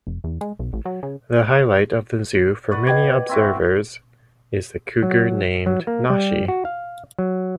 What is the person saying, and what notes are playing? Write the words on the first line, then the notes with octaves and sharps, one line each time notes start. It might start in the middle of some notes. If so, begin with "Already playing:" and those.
The highlight of the zoo for many observers is the cougar, named Nashi.
F1
E2
G#3
B1
A1
F#3
C#3
B4 D5 F#5 C#6
D#5 G5 D6 G#6
C4 E4 F#4
F#3
F#3
A#3
G3
F#4
F5
F#3